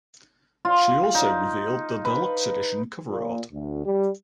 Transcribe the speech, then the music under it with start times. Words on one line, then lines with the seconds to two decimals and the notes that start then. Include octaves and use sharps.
She also revealed the deluxe edition cover art.
0.65 F4
1.15 D#4
2.05 B4
3.09 A#2
3.51 D2
3.84 G3